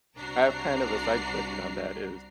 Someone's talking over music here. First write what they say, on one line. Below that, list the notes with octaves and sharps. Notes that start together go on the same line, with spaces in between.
I have kind of a side question on that is
C2 C3 D4 F#4 A#5 C7